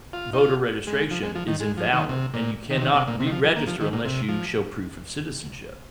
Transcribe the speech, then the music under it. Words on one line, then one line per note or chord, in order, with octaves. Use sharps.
voter registration is invalid, and you cannot reregister unless you show proof of citizenship
F4
D#4
F4
G#3
F3
G#3
F3
D#3
G#3
F3
D#3
C3
A#2
D#3
C3
D#3
C3
A#2
C3
D#3
F3
F3
A#3
F3
D#3
A#2
C3
F3